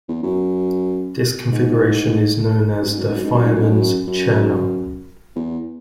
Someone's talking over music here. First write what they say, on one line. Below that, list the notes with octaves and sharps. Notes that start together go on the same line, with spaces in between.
This configuration is known as the fireman's chair knot.
E2
F#2
G#2
F#2
G#2
F#2
G#2
F#2
G#2
F#2
G#2
F#2
G#2
F#2
F#2
E2